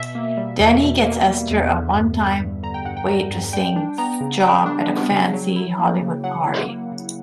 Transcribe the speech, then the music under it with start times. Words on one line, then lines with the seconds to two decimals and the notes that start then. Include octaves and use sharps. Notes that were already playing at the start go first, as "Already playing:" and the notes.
Danny gets Esther a one-time waitressing job at a fancy Hollywood party.
Already playing: B2 E5
0.15 A#3
0.37 G3
0.60 E2
0.83 B2
1.05 A#3
1.28 G3
1.51 E2
1.73 D3
1.95 G2
2.18 G3
2.40 G2
2.63 D3 A#5
2.74 G5
2.85 G2 F#5
2.97 G5
3.08 G3 A#5
3.31 G2
3.53 G3 G5
3.76 D4
3.98 B3 A#5
4.21 C#3
4.43 G3 G5
4.66 D4
4.88 B3
5.11 C#3
5.33 F#3
5.56 E4
5.79 A#3
6.01 C#3
6.24 F#3 F#5
6.46 E4
6.69 A#3
6.92 C#3